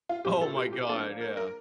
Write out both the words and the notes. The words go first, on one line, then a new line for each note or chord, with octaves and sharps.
Oh my god. Yeah.
F4
A#2 G3 C4 E4 G4
A4
G4
G4
F3 A#3 D4 A4
A#4
A#4